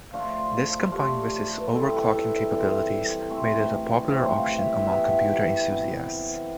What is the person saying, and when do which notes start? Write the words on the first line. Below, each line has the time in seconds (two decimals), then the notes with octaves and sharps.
This combined with its overclocking capabilities made it a popular option among computer enthusiasts.
0.13 F3 A3 D4 F4 F5
0.92 F3 A3 D4 F4 G4
1.60 B4
1.72 E3 G3 C4 E4 A4
2.51 E3 G3 C4 E4
3.30 E3 A3 C4 G4
4.10 E3 A3 C4 G4 C5
4.37 F5
4.57 F5
4.62 E5
4.89 C3 E3 B3 E4
5.69 C3 E3 B3 E4